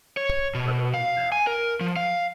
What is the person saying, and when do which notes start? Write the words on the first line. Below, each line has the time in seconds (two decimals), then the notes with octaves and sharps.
But old now.
0.17 C#5
0.54 B2
0.94 F5
1.32 G#5
1.47 A#4
1.81 F3
1.97 F5